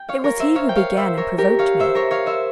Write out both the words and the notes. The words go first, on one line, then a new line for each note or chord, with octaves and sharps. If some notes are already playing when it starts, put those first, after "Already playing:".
It was he who began and provoked me.
Already playing: G5
C#5 F5
A#4 C#5
C5 E5
C#5 F5
G5
C#5 F5
C5 E5
A#4 C#5
G4 A#4
C#5 F5
C5 E5
A#4 C#5
C#5 F5
C5 E5